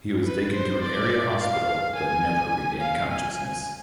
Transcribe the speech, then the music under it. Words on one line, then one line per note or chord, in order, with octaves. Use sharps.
He was taken to an area hospital but never regained consciousness.
B4
C5
D5
F5
G#5
F5
G#5